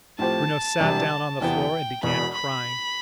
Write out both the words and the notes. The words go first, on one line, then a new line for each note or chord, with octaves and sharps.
Bruno sat down on the floor and began crying.
A2 F3 C4 G4 C5 A5
E1 E2 C3 G3 D4
E2 C3 E3 B3 G5
E1 E2 B2 B5
B5